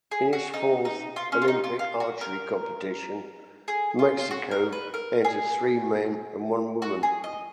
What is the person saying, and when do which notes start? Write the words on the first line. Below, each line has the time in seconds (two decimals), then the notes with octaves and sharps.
In its fourth Olympic archery competition, Mexico entered three men and one woman.
0.11 G#4
0.33 F#4
0.54 D#4
0.85 D#4
1.16 F4
1.32 C#4
1.42 F4
1.48 D#4
1.64 F4
1.79 F4
2.00 F#4
2.21 A#4
3.68 G#4
3.99 F4
4.19 F4
4.31 F#4
4.51 A#4
4.73 B4
4.94 A#4
5.25 G#4
6.82 F#4
7.03 G#4
7.24 D#5